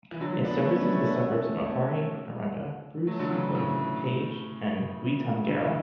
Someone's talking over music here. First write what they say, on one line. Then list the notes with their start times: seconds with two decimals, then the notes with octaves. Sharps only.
It services the suburbs of Macquarie, Aranda, Bruce, Cook, Page and Weetangera.
0.12 E3
0.20 D3 F#3
0.32 D3 F#3
0.44 B3 D4
0.56 A3 C#4
0.68 A3 C#4
0.80 B3 D4
0.92 A3 C#4
1.04 B3 D4
1.16 A3 C#4
1.64 A3 C#4
3.07 F#3 A3
3.19 D3 F#3
3.31 C#3 E3
3.55 A2 C#3
5.46 D3
5.59 E3